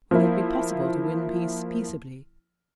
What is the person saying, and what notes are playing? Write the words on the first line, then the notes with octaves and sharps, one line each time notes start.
Will it be possible to win peace peaceably?
F3 A#3 E4